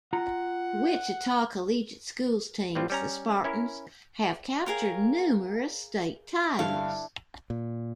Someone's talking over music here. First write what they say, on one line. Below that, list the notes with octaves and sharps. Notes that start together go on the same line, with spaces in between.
Wichita Collegiate School's teams, the Spartans, have captured numerous state titles.
F4 F#5 A#5
A2 G3 C4 F4
G3 C#4 A#5
C#4 E4 A#4
G#4 A#4 C#5 F5 G5 A#5
G2 D3 D4 E4 A4 F5
A#2